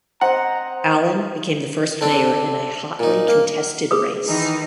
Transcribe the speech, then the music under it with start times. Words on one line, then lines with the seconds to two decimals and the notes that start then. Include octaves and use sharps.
Allen became the first mayor in a hotly contested race.
0.21 C4 C5 D#5 F#5 A#5
2.01 D3 C4 D4
2.99 A#2 D#4
3.28 A#3
3.91 G#4 B4 D#6
4.26 D#3 E3 D#4